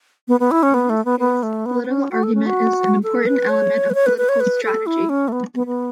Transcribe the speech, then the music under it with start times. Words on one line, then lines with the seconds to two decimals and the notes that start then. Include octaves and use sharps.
In this case, political argument is an important element of political strategy.
0.28 B3
0.40 B3
0.51 E4
0.63 C#4
0.74 B3
0.89 A3
1.05 B3
1.19 B3
1.43 A3
1.66 B3
1.84 B3
1.88 C#4
2.11 F#4
2.23 A4
2.35 C#4
2.46 F#4
3.03 A4
3.26 B4
3.49 C#5
3.90 B4
3.94 C#5
4.06 B4
4.18 B4
4.29 C#5
4.40 B4
4.64 A4
4.86 E4
5.09 C#4
5.28 A3
5.32 B3
5.55 B3
5.67 B3